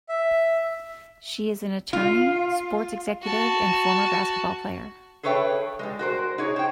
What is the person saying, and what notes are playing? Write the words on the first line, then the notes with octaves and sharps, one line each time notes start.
She is an attorney, sports executive, and former basketball player.
E5
F4
F#4 A5
G#4 A4 B4 C#5 E5 G5
G3 G#3
F#4 A#4 C5
D#4 G#4 C#5
C5 G5